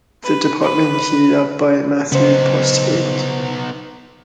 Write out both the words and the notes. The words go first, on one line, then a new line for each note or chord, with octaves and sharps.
The department headed up by Matthew Postgate.
B4
B4
C#3 B3 D#4 C5